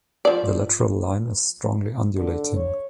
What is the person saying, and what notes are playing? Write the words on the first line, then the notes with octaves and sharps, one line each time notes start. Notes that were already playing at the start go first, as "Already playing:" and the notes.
The lateral line is strongly undulating.
F3 D5
D3
C#5